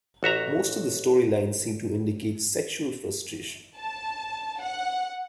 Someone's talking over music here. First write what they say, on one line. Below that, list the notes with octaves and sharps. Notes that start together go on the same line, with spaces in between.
Most of the storylines seem to indicate sexual frustration.
A1 F#4 E5 A#5
A5
F#5